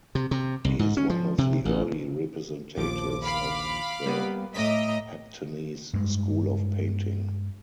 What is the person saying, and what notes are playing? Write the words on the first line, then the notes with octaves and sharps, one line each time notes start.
He is one of the early representatives of the Heptanese School of painting.
C3
C3
C2
G#2
C#4
F3
C3
A1
A#1 D#2 F3 D6
F5 B5 D6
G3 A#3 B3
A2 D#5 A#5 D6 B6
G2 G#3